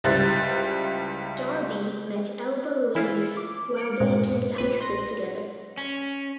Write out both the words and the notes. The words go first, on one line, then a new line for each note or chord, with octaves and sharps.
Darby met Elva Louise while they attended high school together.
C#2 G3 E4 C5 F#6 A6
E3 E4 F4
D6
F6 C#7 D7
G2 A#2 G#3
A#1 B4
C6 A#6
C#4